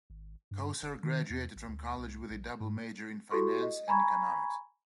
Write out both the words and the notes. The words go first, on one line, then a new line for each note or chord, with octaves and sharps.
Kosar graduated from college with a double major in Finance and economics.
G#1
G2
G1
D#3
E2
A1
D2
C2
A#1
G#2
E4 F#4 G4 A4 C6 C#6
D#5
G#5 A#5 B5 C#6 G#6